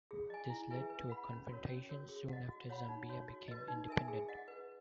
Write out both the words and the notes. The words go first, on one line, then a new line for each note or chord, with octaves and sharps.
This led to a confrontation soon after Zambia became independent.
G#4
D#5 G#5
E4
G#4 B4 E5 G#5
B4
F#5 B5
C#4
F#4 A#4 C#5
C#4
F#4 A#4 C#5
G#4
D#5 F#5
F#4
C#5 F#5 B5
D#4
F#4 C#5
F#4
B4 D#5
D#4
A#4 E5 G#5
G#4
D#5 F#5
B4